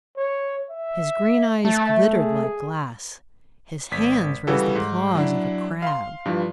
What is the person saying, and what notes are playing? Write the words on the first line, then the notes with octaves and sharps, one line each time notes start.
His green eyes glittered like glass, his hands were as the claws of a crab.
C#5
E5
A3 A5
G#4
G#1 B6
C#3 E3 G3 F#4 G4 A4
G#2
F#3 D4 E4
F5 C6
G2 E3 F3